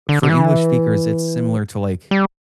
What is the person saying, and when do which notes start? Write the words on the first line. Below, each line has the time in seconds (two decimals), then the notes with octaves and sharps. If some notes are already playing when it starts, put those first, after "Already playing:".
for English speakers, it's similar to, like,
0.09 D3
0.23 D3
0.30 E3
2.11 G3